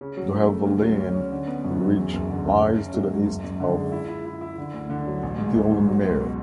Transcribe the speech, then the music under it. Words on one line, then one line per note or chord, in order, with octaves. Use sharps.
The Helvellyn ridge lies to the east of Thirlmere.
C#3
F#3
A3
C#3
D2
F#3
C#4
C#4
D3
B3
F#2
F#3
E2
F#1
D3
F#1
C#4
C#4
F#3
G#2
F#1
F#2
D3
G#3
E4
E4
E4
E4
D3
D2
D3
F#3
A1
G#2
A1
G#2
F#3
C#2
B2